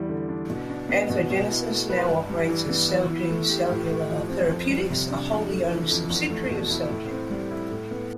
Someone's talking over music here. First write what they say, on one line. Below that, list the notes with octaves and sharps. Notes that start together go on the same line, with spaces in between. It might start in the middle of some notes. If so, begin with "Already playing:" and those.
Anthrogenesis now operates as Celgene Cellular Therapeutics, a wholly owned subsidiary of Celgene.
Already playing: E2 G3 E4
D3
D4
B2
D4
B3
B2
B2
E4
A3
B4
G2
G3
E3
B3
E3
E4
A3
G4
A2
A3
F3
C4
F2
G3
C3
D4
F2
A3
E3
F2
E2
A3
B2
E4
A2
C4
G3
E4
A2
B3